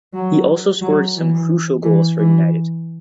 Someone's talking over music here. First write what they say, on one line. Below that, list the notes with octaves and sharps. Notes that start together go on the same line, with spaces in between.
He also scored some crucial goals for United.
F#3
F#3
E3
E3
E3